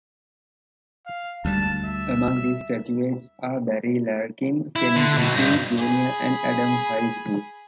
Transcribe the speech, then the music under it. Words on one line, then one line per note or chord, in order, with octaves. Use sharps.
Among these graduates are Barry Larkin, Ken Griffey, Junior and Adam Hyzdu.
F5
D2 G3 A5
E5
E4
D3
B2 F#3
G2 D#4
G#4 B5